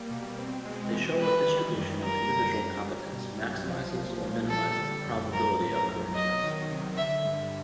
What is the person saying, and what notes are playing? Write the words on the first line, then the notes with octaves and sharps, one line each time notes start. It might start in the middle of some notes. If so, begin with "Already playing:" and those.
They show what distribution of individual competence maximizes or minimizes the probability of correctness.
Already playing: G3 A#3
B2
C4
G#3
E3
G3 B4
D#3
F#2
G3 A#4
D3
G2
G3
B2
B1
F3
A#2
A#1
G3 A4
D3
F#2
F3 A#4
A2
A#4
B1
F#3 D#5
D#3
C3
D3 E5
G2